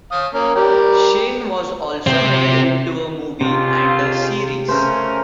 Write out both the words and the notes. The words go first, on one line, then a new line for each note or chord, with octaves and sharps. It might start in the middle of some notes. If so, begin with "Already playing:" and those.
Shane was also made into a movie and a series.
F5 D#6
A#3 C#4
G3 G4 A#4
C3 C4
C#2 C3 F4 C5
C#3 A3 C#4 A#4 C5